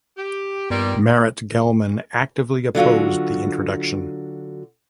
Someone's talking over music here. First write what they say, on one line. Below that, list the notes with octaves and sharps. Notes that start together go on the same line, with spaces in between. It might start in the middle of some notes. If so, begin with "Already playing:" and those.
Marat Gelman actively opposed the introduction.
G4
G2 A#2 D#3 G3 B3
D3 F#3 F4 F#4